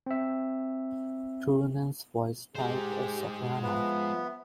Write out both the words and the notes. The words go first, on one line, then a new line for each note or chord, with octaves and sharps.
Turunen's voice type is soprano.
C4 E5
G#3 G4 G#4 C5
F3 B3 E5